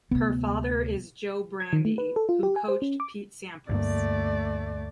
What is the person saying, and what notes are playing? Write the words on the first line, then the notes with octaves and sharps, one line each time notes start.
Her father is Joe Brandi, who coached Pete Sampras.
D2 C3 B3
G#6
D#3
A3
B4
A4
F4
G4
G#5
C5
C#4
D6
D2 G2 A3 A#3 D5